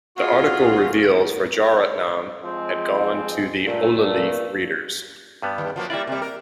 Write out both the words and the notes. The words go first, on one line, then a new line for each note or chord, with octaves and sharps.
The article reveals, Rajaratnam had gone to the ola-leaf readers.
F4 F#4 G#4
F3 G#3 C4
G2 A#2 A3
G2 G3 B3
D#2
F3 F#3 A#3
G3 A#3 E4 F4 D5
C3 G3
A#4